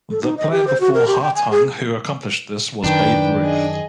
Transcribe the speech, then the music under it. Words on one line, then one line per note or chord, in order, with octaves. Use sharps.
The player before Hartung who accomplished this was Babe Ruth.
A4
D#4
D#5
G4
C5
F#4
A#4
G4
G5
G#5
G#4
F#2 D#3 D4 B4 G5
G#4 D#5